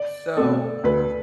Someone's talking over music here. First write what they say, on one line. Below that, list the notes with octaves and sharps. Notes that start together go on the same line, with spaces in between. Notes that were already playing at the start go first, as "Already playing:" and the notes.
so, m
Already playing: D5
B2 A3 C4 A4
D2 B4